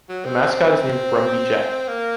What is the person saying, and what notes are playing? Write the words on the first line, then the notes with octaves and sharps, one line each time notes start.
The mascot is named "Brumby Jack".
F#3
C4
C4
A#3